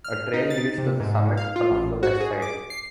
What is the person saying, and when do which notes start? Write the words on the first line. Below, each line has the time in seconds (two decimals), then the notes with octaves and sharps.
A trail leads to the summit along the west side.
0.04 F6
0.34 D#4
0.50 A6
0.78 C3
1.00 G#2
1.37 F5
1.56 F4
1.71 A1
2.03 F#4
2.20 G#4
2.42 D6
2.70 C7